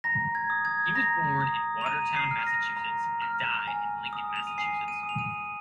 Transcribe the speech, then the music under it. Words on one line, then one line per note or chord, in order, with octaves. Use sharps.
He was born in Watertown, Massachusetts and died in Lincoln, Massachusetts.
A#5 A#6
G#6
D#6
G#6
A#5 A#6
D#6
F7
A#5 D#7
C7
F6
A#6
A#5
F6
G#5
D#6
F7
D#7
G#5 C7
D#7
D#6
F7
D#7